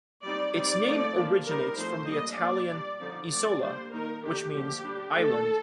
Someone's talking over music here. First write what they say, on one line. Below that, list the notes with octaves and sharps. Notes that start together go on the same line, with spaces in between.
Its name originates from the Italian "Isola", which means 'island'.
G3 C4 D#4 D5
G3 C4 D#4 D5
F3 A3 C4 D#4
F3 A#3 D4
G3 C4 D#4 A#4
F3 A3 C4 D#4 C5
G3 A#3 D4 D#5
F3 A#3 D4 D5
G3 D4
D3 F3 C4 D#4 D5
D3 F3 A3 D5
G3 A#3 D4 C5
D#3 A#3 D#4 A#4
D#3 A3 D4 G4
D3 F3 A#3 G4
G3 D4
D#3 A3 D4 A4